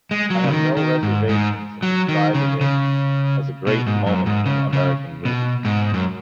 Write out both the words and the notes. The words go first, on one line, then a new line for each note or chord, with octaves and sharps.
I have no reservations in describing it as a great moment in American movies.
G#3
F#3
C#3
D#3
D#3
G#2
G#2
F#3
D#3
C#3
C#3
B2
G#2
F#2
G#2
C#3
C#3
B2
G#2
F#2